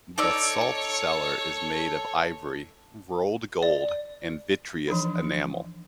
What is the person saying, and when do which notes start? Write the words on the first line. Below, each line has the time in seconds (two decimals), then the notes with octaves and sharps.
The salt cellar is made of ivory, rolled gold, and vitreous enamel.
0.18 D#4 A4 C#5 D5 E6
3.63 D5
4.88 E3 F3 D4 D#4